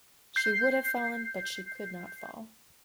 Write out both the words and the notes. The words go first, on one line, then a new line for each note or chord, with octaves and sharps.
She would have fallen, but she could not fall.
G6 C7